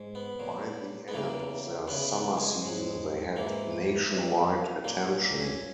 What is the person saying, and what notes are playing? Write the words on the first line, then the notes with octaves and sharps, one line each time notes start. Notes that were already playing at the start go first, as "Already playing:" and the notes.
By the end of their summer season, they had nationwide attention.
Already playing: G#2
B3
A#2 F#3
B3
E2 C#3 F#3 A#3
E2 C#3 F#3 B3
B3
G#3
G#2 F#3
G#2 E3 A#3
E2 B2 F#3
A#2 F#3 A#3
A#3
C#4